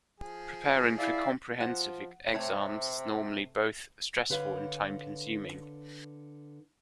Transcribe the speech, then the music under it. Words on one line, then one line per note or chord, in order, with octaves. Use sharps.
Preparing for comprehensive exams is normally both stressful and time consuming.
F3 G#4
E4 D5 E5 F5
F3 F#5
C3 A3 C4 C#5
D3 B4 C#5 F5